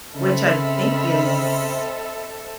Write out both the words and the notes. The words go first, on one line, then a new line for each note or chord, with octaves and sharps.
Which I think is
C#3 C4 A4 D#5 E5 B5 E6 F6